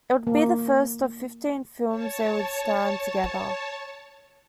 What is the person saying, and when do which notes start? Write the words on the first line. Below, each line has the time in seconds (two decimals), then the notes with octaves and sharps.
It would be the first of fifteen films they would star in together.
0.27 A#3
1.87 C#5 A5